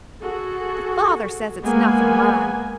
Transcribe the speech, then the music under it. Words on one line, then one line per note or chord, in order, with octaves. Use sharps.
But father says it's nothing to mind.
F#4 G#4 A4
G#3 A#3 B3 G#5